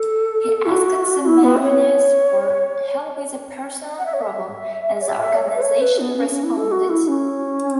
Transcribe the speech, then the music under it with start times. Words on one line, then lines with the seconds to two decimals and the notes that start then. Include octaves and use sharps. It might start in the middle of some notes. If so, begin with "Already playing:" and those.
He asked the Mariners for help with a personal problem, and the organization responded.
Already playing: A4
0.66 E4
0.71 F#4
1.26 E4
1.44 B3
1.57 E5
1.62 C#5
3.99 F#5
4.06 E5
4.13 C#5
4.21 E5
5.01 C#5
5.08 E5
5.22 E5
5.35 C#5
5.49 E5
5.56 B4
5.62 C#5
5.81 B4
5.99 B3
6.17 C#4
6.30 C#4
6.44 E4
6.57 A4
6.72 F#4
6.90 E4
7.08 C#4